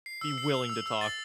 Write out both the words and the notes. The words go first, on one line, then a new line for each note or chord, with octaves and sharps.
be willing to talk.
C7
E6
C7
F7
E6
E6
A6